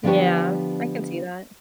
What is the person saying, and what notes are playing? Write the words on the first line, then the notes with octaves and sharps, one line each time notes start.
Yeah. I can see that.
D3 F3 B3 D4 G4 C#5